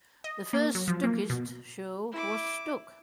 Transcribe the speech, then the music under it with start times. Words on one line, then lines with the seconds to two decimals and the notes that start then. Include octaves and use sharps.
The first Stuckist show was Stuck!
0.24 D#5
0.53 A#3
0.75 F#3
0.88 F3
1.04 A#3
1.30 B2
2.11 E4 D6